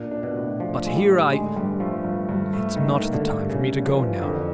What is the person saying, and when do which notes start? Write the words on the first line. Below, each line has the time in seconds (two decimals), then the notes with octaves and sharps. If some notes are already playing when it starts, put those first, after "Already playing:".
But here I ... it's not the time for me to go now....
Already playing: A#2 D4
0.11 D4
0.23 B2
0.35 A2
0.59 F3 D4
0.85 G#3 A3
0.96 G3
1.08 A2
1.32 D3 G#3
1.56 G2 G3
1.80 F3 A3
2.04 G2
2.29 G2
2.53 A3
2.76 D#3 A#3
3.01 A#3
3.13 D3
3.25 G3
3.49 C#3 A#3
3.74 D4
3.85 F3
3.97 E3
4.21 F2 D3